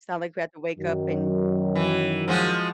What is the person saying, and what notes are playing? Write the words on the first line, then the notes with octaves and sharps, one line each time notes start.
It's not like we have to wake up and,
F#2 D#3 F#3
E3
F3 G#3 F#4